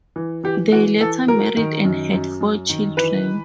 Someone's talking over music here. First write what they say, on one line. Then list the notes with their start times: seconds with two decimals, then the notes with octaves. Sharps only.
They later married and had four children.
0.16 E3
0.44 E3 G4
0.72 E3 F#4
1.01 E3 A4
1.28 F#3 A#4
1.57 D#3
1.85 F#2
2.13 F#2
2.41 F#2
2.69 D#3
2.97 E3 B4